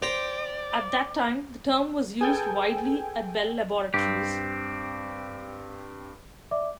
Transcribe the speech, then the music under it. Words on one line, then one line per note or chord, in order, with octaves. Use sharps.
At that time, the term was used widely at Bell Laboratories.
G4 C5 D5 G5 A#5
G#4 A4 B4 G5 G#5
G2 C4 G4
D5 E5 D6